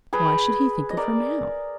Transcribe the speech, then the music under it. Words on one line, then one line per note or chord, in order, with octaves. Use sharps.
Why should he think of her now?
G#4 B4
D#5
A#4 D5